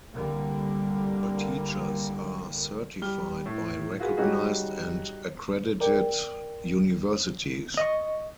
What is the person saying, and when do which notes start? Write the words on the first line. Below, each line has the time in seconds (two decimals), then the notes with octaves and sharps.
All teachers are certified by recognized and accredited universities.
0.13 C2 D3 G3 A#3
3.02 G3 F6 G7
3.46 A2
4.00 F4 F#4 G#4 B4
4.17 G3 C#4 D#4 F#4 G#4
5.80 A#4 D5 G5
7.77 D#5 C#6